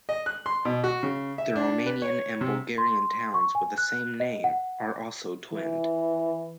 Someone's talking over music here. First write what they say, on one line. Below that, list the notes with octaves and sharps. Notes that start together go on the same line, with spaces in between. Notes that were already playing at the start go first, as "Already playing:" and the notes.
The Romanian and Bulgarian towns with the same name are also twinned.
D#5
F#6
C6
B2
F#4
C#3
E5
D4
B4
C#5
C3
C6
C#6
G#5
F#6
D#5
F#5
E3